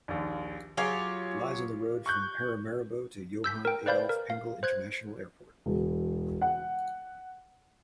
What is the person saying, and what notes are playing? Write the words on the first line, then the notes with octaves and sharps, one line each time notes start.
It lies on the road from Paramaribo to Johan Adolf Pengel International Airport.
A#1 D#2
F#3 F4 G4 G#4 C#5
C#6 F#6 G6
E6 G6 B6
A#4 G5
B4 C5 D5 F5 B5 G6
A#4
F5
C5 F#6 G#6
E1
F#5